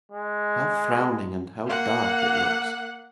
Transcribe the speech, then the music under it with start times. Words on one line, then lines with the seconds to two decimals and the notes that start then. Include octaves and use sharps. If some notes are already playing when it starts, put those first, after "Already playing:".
How frowning and how dark it looks!'
0.12 G#3
1.66 A#3 F#5